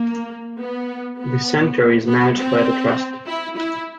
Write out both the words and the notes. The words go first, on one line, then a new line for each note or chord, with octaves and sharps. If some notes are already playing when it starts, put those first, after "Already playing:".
The Centre is managed by the Trust.
Already playing: A#3
B3
B3
B3
C4
E4
E4